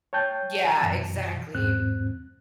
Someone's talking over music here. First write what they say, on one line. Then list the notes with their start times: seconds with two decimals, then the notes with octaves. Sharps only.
Yeah, exactly.
0.13 C#5 G5 A5 G6
0.81 F#2 B2 E3
1.55 E2 G#2 C4 F#6